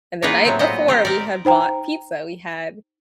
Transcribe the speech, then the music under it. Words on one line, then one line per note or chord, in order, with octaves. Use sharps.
And the night before, we had bought pizza, we had
A#3 B3 D#4 F4 G#4 B4
A2 F#3 C4
A#2 B3 C5 D#5
C4 D#4 G4
A#4 D5
D#4 C5 G5 A#5